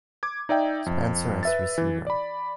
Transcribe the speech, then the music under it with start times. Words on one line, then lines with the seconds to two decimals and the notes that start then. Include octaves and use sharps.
Spencer as receiver.
0.23 D6 G#6
0.49 D#4 D5 E5 G5
0.86 F2
1.43 B4 E5 A6
1.78 E3
2.07 D5 B5